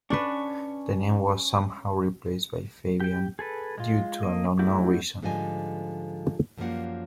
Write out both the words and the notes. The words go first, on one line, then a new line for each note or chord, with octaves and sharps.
The name was somehow replaced by Fabian due to an unknown reason.
C#4 D4 B4 C#6
G4 G5
G#4 A4 B4
G#3 F4
A#3 D#5
A3 D4 E4 F#4 G4
G#2 D3 F3 G3 D#5 G#5
F#2 D3 F3 G3 A#3 F#5